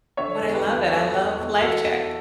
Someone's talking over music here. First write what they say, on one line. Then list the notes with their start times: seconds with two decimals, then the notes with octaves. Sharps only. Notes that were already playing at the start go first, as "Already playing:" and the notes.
but I love it. I love life check.
0.17 D3 C#5 E5
0.35 A4 C#5
0.42 E2
0.53 G4 B4
0.66 E2
0.71 G4 B4
0.89 G3 A4 C#5
1.13 E2 G4
1.37 E2
1.61 E2 F#4 A4
1.85 E2